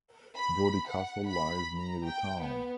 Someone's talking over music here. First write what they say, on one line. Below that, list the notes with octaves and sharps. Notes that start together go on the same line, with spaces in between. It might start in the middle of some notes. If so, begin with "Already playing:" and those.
Brodie Castle lies near the town.
B5
F#5
B5
A#5
G5
B3